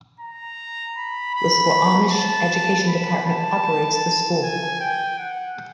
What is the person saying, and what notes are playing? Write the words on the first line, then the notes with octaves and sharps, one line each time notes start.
The Squamish education department operates the school.
A#5
B5
B5
A5
B5
A5
G#5
G5
F#5